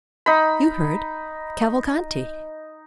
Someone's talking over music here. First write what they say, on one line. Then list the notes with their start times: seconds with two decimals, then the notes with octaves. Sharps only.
"You heard--Cavalcanti."
0.26 D#4 B5